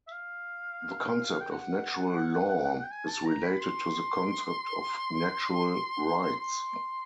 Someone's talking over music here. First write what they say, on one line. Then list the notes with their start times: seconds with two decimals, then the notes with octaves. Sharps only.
The concept of natural law is related to the concept of natural rights.
0.07 E5
0.12 F5
1.40 G5
1.51 F#5
2.84 G5
2.91 G#5
3.08 A5
3.26 A#5
3.43 B5
3.61 C6
6.39 C6